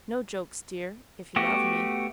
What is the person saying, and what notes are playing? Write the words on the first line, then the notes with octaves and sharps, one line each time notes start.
No jokes, dear, if you love me.'
A3 B3 F#4 G4